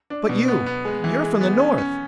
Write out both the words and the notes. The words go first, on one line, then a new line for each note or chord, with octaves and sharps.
"But you--you're from the North."
D4
B2
B3
B3
G#3
E3
G#3
B3
C#4
C#4